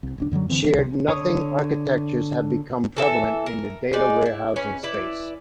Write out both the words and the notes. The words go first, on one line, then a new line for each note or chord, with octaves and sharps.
Shared nothing architectures have become prevalent in the data warehousing space.
C2
D1 C#2 D4
F#2 D3 D#3 F#3
D3 E3 C4
C2 C3
D3 C#5 C#6 D#6
E3 A4 E5
A#4
G#3 D#4 D5
E4
C#4 B4
E4 B4 D5